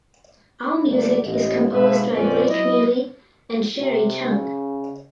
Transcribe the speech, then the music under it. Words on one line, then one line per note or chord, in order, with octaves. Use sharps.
All music is composed by Blake Neely and Sherri Chung.
G1 A3 A#3 A#4 B4 D5
A1 D#5
G#2 B2 A4 B4 E5 F5
F2 A#2 C4 C#4 B4 D5
F#3 E4 D#5
C3
C#3